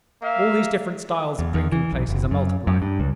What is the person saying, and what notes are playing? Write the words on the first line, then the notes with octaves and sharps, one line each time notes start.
All these different styles of drinking-places are multiplying.
A#3 E5 F5
E2
E2
E3
B1
F#1
F#2
F#2
G2
C#2